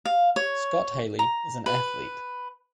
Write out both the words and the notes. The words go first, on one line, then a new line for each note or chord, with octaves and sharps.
Scott Haley is an athlete.
F5
C#5
A#5
B4